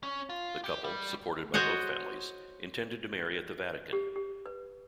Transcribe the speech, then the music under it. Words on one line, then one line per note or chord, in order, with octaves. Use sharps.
The couple, supported by both families, intended to marry at the Vatican.
C#4
F4
G4
G3
F#4 C5 C#5 D#5 F#5
G4
G4
B4